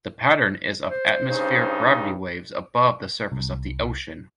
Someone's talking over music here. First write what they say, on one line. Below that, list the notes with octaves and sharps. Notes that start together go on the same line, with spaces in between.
The pattern is of atmospheric gravity waves above the surface of the ocean.
C5
G2 C#3 D#4
C2